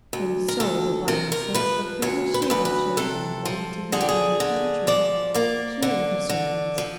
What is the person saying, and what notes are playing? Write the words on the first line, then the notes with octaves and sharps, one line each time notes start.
And so, the Bible says, the Queen of Sheba turned and went to her own country, she and her servants.
D2
A#4
D2 A4
C3 A#4
A#4
F3 B4
D2 C#5
B4
C5
D2 B4
B4
C3 A4
F3
D3 G#4
G4
G#4
D3
F3 D5
A#3 D5
D3
D3
F3